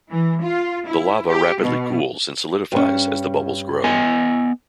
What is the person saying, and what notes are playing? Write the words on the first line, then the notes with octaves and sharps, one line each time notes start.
The lava rapidly cools and solidifies as the bubbles grow.
E3
F4
E4
G4
B2
G2 C#4
B3 D#5 G#5